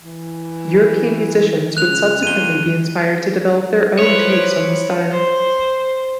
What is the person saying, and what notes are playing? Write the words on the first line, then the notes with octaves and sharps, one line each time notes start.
European musicians would subsequently be inspired to develop their own takes on the style.
E3
C#2 F#6 F7
F2 D#7 G7
F3 E4 B4 C#5
C5